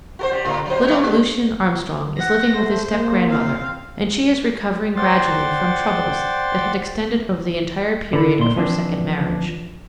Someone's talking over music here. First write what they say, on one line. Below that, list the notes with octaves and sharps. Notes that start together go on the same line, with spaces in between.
Little Lucien Armstrong is living with his step-grandmother, and she is recovering gradually from troubles that had extended over the entire period of her second marriage.
F#4 A4 C5
G3 G4
A2 D3 A#3
F#3 G#3 C5
F#3 B3 C#5
G3 D4
F#5 A#6
A3 C5
A#3
C4 F5
C5 D5 F#5 G5 C6 A6
D3 E4
A#2 C6
E3 F3 C4 D4